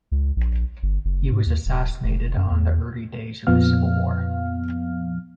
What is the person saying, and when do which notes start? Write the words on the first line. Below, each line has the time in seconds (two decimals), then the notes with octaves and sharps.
He was assassinated on the early days of the Civil War.
0.12 C#2
0.36 A#1
0.83 G1
1.05 F#1
1.32 G#2
1.46 D#2
1.66 D1
2.04 F1
2.37 F#2
2.51 E2
3.47 F2 A#2 F3 B3 F5 F6